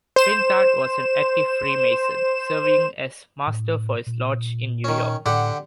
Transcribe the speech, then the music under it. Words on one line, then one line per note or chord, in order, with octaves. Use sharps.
Pintard was an active Freemason, serving as Master for his Lodge in New York.
C5 E7
A2
A#2
D#3 C#4
A2 D3 G4 F#5